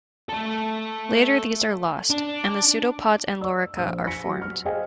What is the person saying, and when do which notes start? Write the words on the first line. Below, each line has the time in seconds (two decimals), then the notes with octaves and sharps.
Later these are lost, and the pseudopods and lorica are formed.
0.29 A3 A4
2.10 D4
3.41 D5 E6
3.77 A#1 C5 E6
4.07 G#5 A#6 B6 C#7
4.25 F#3
4.42 F6
4.65 G#4 C5 D#5 F5 G5 G#5